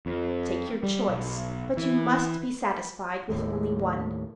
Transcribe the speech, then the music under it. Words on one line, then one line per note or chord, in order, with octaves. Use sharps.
Take your choice, but you must be satisfied with only one.
F2
G3
B1
E3
D#2 A2